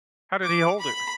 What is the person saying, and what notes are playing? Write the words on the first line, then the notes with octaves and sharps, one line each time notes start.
How did he hold it?
D6
B5